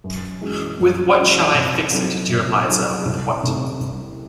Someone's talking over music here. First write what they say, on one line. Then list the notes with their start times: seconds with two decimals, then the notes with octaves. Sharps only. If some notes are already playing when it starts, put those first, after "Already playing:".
With what shall I fix it, dear Liza, with what?
0.04 F#2
0.41 E3 G#3 C#4 F#4
0.80 F#2
1.17 E3 G#3 C#4 F#4
1.54 C3
1.93 F#3 C4 D#4 A4
2.29 C3
2.68 F#3 C4 D#4 A4
3.05 C2
3.43 C3 D#3 A3
3.80 C2